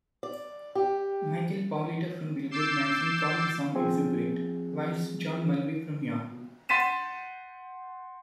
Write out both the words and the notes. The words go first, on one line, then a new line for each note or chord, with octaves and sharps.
Michael Paoletta from "Billboard" magazine called the song "exuberant", whilst John Mulvey from Yahoo!
D5
G4
D6 E6 G6 A6 C7 E7
F3 C4 G#4
F#5 C6 A6 B6 D#7 E7